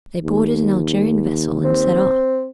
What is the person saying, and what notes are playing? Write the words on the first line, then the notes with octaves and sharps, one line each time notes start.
They boarded an Algerian vessel and set off.
D#2
C4